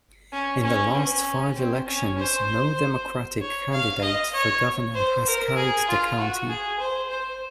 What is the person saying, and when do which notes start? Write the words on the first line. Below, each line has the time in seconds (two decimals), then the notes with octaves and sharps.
In the last five elections no Democratic candidate for governor has carried the county.
0.32 C#4
0.64 C#4
0.95 C#4
1.56 C4
1.87 C#4
2.18 C5
3.41 C#5
3.72 F5
4.03 D#5
4.33 C#5
4.94 C5
5.26 A#4
5.57 G#4
5.88 F4
6.18 F#4
6.49 G#4
6.80 C5
7.10 C5